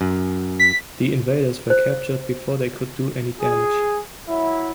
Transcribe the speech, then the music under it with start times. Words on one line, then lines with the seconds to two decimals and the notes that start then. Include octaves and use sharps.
The invaders were captured before they could do any damage.
0.01 F#2
0.59 B6
1.70 C5
3.40 G#4
4.28 F#3 E4